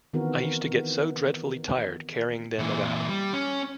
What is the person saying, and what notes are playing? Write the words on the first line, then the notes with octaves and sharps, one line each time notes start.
I used to get so dreadfully tired carrying them about.
D#3 E3 B3 C4 F#4 A#4
A#2 E3
G3
C#4